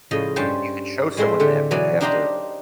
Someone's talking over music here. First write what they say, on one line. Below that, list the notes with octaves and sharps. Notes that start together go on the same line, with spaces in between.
you could show someone that, but you have to
A2 C#3 F3 D#5
G2 G3 C#4 C5 G5 A5
A2 G#3 C4 E5 C6
D3 A3 G4
B2 E3 F#3 D5 G#5
D4 D#4 G4 C5 F5 A#5